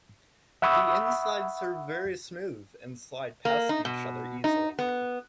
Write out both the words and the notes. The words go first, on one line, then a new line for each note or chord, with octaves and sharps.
The insides are very smooth and slide past each other easily.
E5 F#5 B5 C#6 D#6 E6
A#3
D#4
B2
D#4
B3